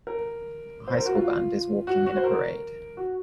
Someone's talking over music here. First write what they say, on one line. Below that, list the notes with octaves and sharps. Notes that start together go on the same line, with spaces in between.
A high school band is walking in a parade.
A#4
C5
A#4
F#4
F4
F#4
F#4
C5
A#4
F#4